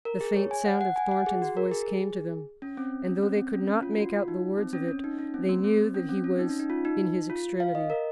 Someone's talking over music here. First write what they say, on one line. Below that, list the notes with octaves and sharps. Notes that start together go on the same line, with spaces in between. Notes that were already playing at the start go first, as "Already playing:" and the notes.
The faint sound of Thornton's voice came to them, and though they could not make out the words of it, they knew that he was in his extremity.
A#4
G#4
C#5
G#5
F#5
F#5
G#5
F#5
G#4
F#4
A#4
G#4
C#4
C4
C#4
C4
C4
C#4
C#4
F4
F#4
F4
D#4
C4
C#4
C#4
D#4
C#4
C4
A#3
C4
C#4
C4
C#4
D#4
C#4
D#4
F4
D#4
F4
F5
D#5
A#4